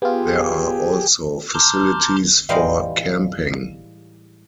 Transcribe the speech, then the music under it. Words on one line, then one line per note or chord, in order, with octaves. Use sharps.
There are also facilities for camping.
B3 F4 G4 G#4
A5 A#5 C6 D6 F6 G6
A2 E3 G3 G#3 D#4 F5